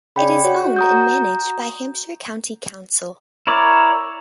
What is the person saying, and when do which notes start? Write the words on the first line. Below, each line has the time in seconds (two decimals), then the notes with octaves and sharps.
It is owned and managed by Hampshire County Council.
0.16 C#3 D5 G5 B5
0.44 F#4 C#5
0.76 A#5 D#6 G6
3.47 E4 A#4 C#5 D5